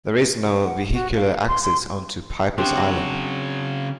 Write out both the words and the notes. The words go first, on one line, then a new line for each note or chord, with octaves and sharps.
There is no vehicular access onto Pipers Island.
F#5
F#4
F5
C6
C6
C#3 C4 D4 F#4 G4
F#3